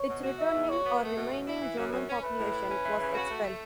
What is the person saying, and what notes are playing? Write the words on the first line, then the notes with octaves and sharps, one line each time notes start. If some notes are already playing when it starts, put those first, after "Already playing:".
Its returning or remaining German population was expelled.
Already playing: C#5
B2
F#4
E3 E5
E2
F#4 C#5
B3
A3
B2
B2
E4
E3
F#2
F#2
C#4
A3 B4
A2
E4
C#4
E3
C#3
F#4
A3
A3